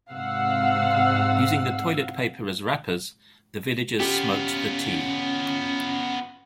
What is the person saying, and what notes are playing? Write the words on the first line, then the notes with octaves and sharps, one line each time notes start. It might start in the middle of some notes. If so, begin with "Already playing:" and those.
Using the toilet paper as wrappers, the villagers smoked the tea.
G#2 C3 F5 F#5 E6
B3 C#4 F4 G4